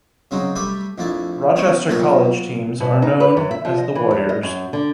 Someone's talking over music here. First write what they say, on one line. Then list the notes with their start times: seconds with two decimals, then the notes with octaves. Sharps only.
Rochester College teams are known as the Warriors.
0.31 C#3 F#3 C4 D#4
0.56 G3 A3 G4 B4 E5
0.98 A#1 F2 A3 E4 A5
1.56 B3 C#4 D#4 C5 C#5
1.89 A#2 F3 F#3 B3 A4 A#4
2.80 B2
3.02 D#4
3.20 B4
3.37 F#2
3.51 E5
3.65 F3
3.78 D#5
3.95 E3
4.11 E2
4.29 D#5
4.43 F#2
4.73 D3